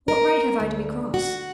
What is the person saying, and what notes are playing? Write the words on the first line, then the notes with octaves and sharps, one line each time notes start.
"What right have I to be cross?"
A#4
D2
F#4